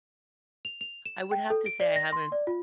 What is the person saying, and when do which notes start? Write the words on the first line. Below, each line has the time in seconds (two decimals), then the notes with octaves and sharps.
I would have to say I haven't
0.65 F7
0.81 F7
1.06 E7
1.31 G5
1.50 A4
1.66 D7
1.80 D5
1.96 A#6
2.12 C6
2.32 D5
2.47 F4